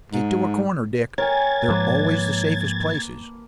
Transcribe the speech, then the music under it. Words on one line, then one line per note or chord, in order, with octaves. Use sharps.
'Get to a corner, Dick; they're always the safest places.
G#2
A#4 C#5 G5 G#5 G#6 A6
G#2 F3 A#3 B4 A5